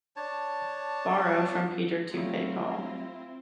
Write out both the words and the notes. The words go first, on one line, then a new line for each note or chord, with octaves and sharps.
Borrow from Peter to pay Paul.
D4 C#5 A5
F#3 G3 A3 C4 E4 F4